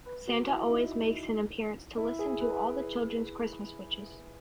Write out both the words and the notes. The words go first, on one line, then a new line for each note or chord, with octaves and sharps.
Santa always makes an appearance to listen to all the children's Christmas wishes.
B4
F#4
F#4
E4
D#4
E4
G#4
B4